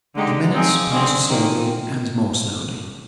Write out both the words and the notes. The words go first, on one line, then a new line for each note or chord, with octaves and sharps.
The minutes passed slowly and more slowly.
D3 G#3 D#4 G4
F3 C4 D#4 G#4
D3 G#3 C4
D#3 A#3